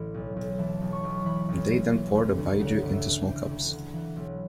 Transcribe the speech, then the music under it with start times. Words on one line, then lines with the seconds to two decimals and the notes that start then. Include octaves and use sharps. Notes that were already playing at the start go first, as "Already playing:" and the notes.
They then pour the "baijiu" into small cups.
Already playing: A1 E3
0.14 B1
0.36 B1
0.58 E3 A5
0.81 B1
0.93 C#6
1.03 B1
1.25 E3 B5
1.48 B1
1.71 B1
1.93 E3
2.15 D2
2.37 D2
2.59 C#3 F#5
2.81 G1
2.93 E5
3.04 G1
3.26 E3 G5
3.49 D2
3.60 F#5
3.71 D2
3.93 E3 F#5
4.16 B1